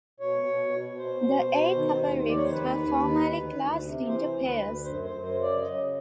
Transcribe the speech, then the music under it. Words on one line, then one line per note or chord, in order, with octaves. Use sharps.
The eight upper ribs were formerly classed into pairs.
B2 C#5
B2
B2
B2 C5
B2
B2
D#3
D#2
D#3 D5
C#5
C5
D#2 B4
D#2
D#3
D2
D2
C3
E3 C5
D2
B4
D2
F#2 C5
C5
F#2
C5
C#3
D5
C#3 D#5